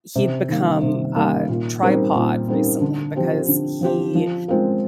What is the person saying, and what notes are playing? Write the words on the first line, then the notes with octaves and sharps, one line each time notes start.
he'd become a tripod recently because he
C3
D#3 G3 A#3
C3
D#3 G3 A#3
A#2
G3 C4 D#4 A#4
A#2
G3 C4 D#4 A#4
D3
F3 C4 G4 C5
D3
F3 C4 G4 C5
F3
G#3 C4 F4 A#4